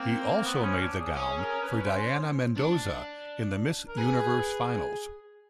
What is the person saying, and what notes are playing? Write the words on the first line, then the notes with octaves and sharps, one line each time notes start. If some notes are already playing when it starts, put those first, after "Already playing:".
He also made the gown for Dayana Mendoza in the Miss Universe finals.
Already playing: A#3 C4
A#3
B3
C#4
D4
G#4
C#4 G#4
A#4
B4
C5
D4
A#4
G#4 B4